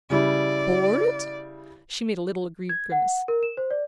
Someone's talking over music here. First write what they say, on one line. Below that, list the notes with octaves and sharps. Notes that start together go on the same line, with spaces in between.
"BORED?" She made a little aggrieved grimace.
C#3 G3 E4 D5
G#6
F#5
A#4
E7
C5
D5